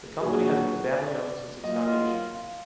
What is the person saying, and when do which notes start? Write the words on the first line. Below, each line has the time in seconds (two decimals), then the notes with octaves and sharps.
The company has been family owned since its foundation.
0.21 A#2 F#3 D4 F#4 G#4
0.92 D5
1.64 F#3 A#3 F4 D#5
1.87 D#5
2.34 F5